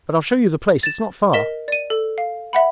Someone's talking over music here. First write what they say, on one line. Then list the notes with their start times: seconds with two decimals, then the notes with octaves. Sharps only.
But I'll show you the place, it's not far.
0.83 A6 E7
1.33 A#4 D#5 B6 E7 G7
1.68 D5 D#7
1.90 A4
2.18 F5
2.53 E5 F#5 B5